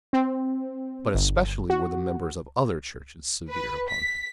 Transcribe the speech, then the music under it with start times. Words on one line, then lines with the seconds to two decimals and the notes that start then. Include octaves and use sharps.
But especially were the members of other churches severe upon him.
0.13 C4
1.14 G1
1.70 F#4
3.50 B4
3.89 B6